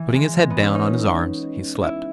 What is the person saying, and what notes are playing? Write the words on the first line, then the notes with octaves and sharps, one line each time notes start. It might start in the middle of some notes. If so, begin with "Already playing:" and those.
Putting his head down on his arms, he slept.
Already playing: E3
G#3
G#3
B3
C#4
D#4
E4